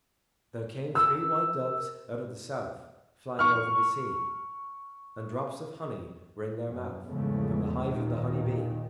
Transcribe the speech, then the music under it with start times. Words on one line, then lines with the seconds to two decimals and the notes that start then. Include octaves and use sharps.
There came three white doves out of the South Flying over the sea, And drops of honey were in their mouth From the hive of the honey-bee.
0.95 A#4 E6
3.39 C#6 F6
6.68 F#2
7.08 E2 G#2 C#3 F3 G#3 A3
7.84 D#2 A#2 D#3